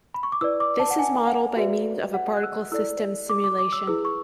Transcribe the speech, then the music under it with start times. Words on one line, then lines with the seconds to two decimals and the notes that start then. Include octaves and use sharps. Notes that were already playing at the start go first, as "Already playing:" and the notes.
This is modelled by means of a particle system simulation.
0.14 B5
0.23 C#6
0.32 D6
0.41 E4 B4 D5 E6
0.60 D6
0.80 A5
0.90 F#5
0.99 G#5
1.27 F#5
1.56 F#4 B4 D5 E5
2.14 F#5
2.37 F#6
2.43 E6
2.72 E4 A4 D5 E6
3.30 D6
3.44 D6
3.58 D6
3.73 E6
3.87 E4 G#4 B4 E6
4.05 C#6